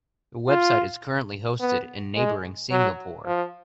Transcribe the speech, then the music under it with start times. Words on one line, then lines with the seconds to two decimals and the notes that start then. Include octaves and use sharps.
The website is currently hosted in neighbouring Singapore.
0.49 F4
1.60 B3
2.16 G#3
2.71 F#3
3.26 F3